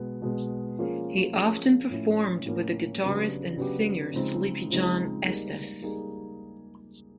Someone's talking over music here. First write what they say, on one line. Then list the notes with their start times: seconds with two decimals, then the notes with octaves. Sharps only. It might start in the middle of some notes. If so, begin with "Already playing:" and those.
He often performed with the guitarist and singer Sleepy John Estes.
Already playing: B2 G#3 B3
0.22 B2 G#3 B3
0.79 F3 A#3 C#4 F4 G#4
1.35 F3 A#3 C#4 F4 G#4
1.90 A2 F3 A#3 C#4 E4
2.46 A2 F3 A#3 C#4 E4
3.02 C#3 F#3 B3 D4 G4
3.58 C#3 F#3 B3 D4 G4
4.14 C#3 F3 G#3 C4 D#4
4.70 C#3 F3 G#3 C4 D#4
5.26 G3 A#3 D#4 G#4
5.82 G3 A#3 D#4 G#4